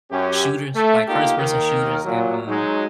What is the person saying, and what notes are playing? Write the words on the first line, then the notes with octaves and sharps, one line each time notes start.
shooters like, first-person shooters and, um
F#2 C#4 G4
A3
A#3 D#4 F4 G4 A4 A#4
D#2 D#3 A#4
A#2 F#3
F#3 G#3 D#4